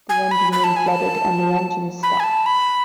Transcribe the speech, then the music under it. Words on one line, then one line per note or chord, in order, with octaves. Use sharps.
The engine room flooded and the engines stopped.
G#5
B5
B5
A5
G#5
A5
B5
G#5
A5
B5